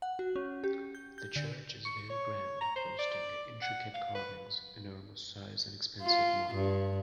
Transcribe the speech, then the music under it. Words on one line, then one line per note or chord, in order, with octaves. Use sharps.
The church is very grand boasting intricate carvings, enormous size, and expensive marble.
F#5
F#4
C#4
G4
G6
G6
D3
C#6
C#5
A#5
C5
D5
F#5
F5
B4
F4
G2